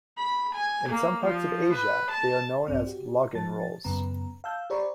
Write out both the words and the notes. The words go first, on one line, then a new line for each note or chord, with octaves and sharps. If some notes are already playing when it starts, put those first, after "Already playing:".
In some parts of Asia they are known as "laugen rolls".
B5
G#5
A#3
F3
B4
A5
A#1 G2 C4 D5
F#4 G4
A2 F3 A5 A6
F#2 C#3 B3 A#5
F5 A5 E6 G6
G4 C5 D5 A#5 B5 C#6